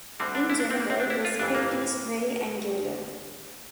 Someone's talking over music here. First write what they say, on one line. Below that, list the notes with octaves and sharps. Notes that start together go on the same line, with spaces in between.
In general the script is very angular.
D2 D3 G3 C4
D4
E4
D4
C4
A#3
C4
D4
E4
F4
G1 F2 E3 D4
A#3